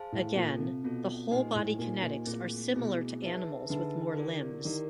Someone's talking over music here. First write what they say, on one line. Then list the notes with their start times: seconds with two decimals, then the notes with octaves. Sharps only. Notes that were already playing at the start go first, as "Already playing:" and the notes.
Again, the whole-body kinetics are similar to animals with more limbs.
Already playing: G#4 C5 F5 A5
0.12 A2
0.36 A#2 C4 F4 A4
0.60 C3
0.84 B2 C4 F4 A4
1.31 A#2 D#4 G4 C5 D#5 G#5
1.55 A2
1.78 A#2 D#4 G4 C5 D#5 G#5
2.03 A#2
2.27 A#2 A3 C4 E4 G#4
2.74 B2 A3 C4 E4 G#4
3.22 D#4 G#4 B4 E5 A5
3.69 D3 D#4 G#4 B4 E5 A5
4.17 E4 G4 A#4 D5
4.65 D#3 E4 G4 A#4 D5